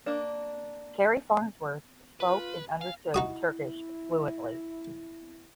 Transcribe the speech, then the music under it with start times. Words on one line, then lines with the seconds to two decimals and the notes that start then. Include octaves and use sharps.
Carrie Farnsworth spoke and understood Turkish fluently.
0.06 A#3 D4
2.20 F4 B4
2.68 G#5
2.81 F5
3.14 D#4 E4 F#4 D#6